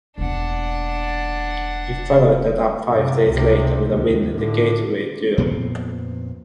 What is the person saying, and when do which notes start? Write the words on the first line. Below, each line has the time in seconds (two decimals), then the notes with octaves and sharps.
He followed that up five days later with a win in the Gatorade Duel.
0.18 E1 A#3 D4 F#5
2.92 F#2 C3
3.29 C#2 C3
3.86 D#2
4.34 A2 D3
5.38 F2 A#2 B3 C4